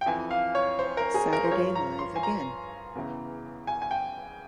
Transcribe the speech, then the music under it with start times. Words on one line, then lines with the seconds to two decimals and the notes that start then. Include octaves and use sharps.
Saturday Live Again!
0.01 G5
0.06 F2 E3 G#5
0.31 F5
0.55 C#5
0.79 C5
0.97 A#4
1.14 G#4
1.33 A#4
1.45 C5
1.51 G2 F3 C#5
1.75 A#5
1.99 C6
2.16 G#5
2.23 A#5
2.96 E2 C#3 E3
3.67 G#5
3.82 G#5
3.91 G5